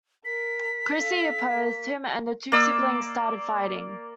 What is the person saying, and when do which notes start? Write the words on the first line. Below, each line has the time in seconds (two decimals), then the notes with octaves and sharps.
Chrissie opposed him, and the two siblings started fighting.
0.25 A#4 B6
0.99 A4 F5
1.55 A#3
2.52 A#3 D5 E6